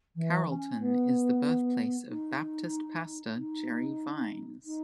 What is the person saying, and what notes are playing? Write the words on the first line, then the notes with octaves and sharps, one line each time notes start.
Carrollton is the birthplace of Baptist pastor Jerry Vines.
E3
C#4
C#4
B3
D#4
D#4
D#4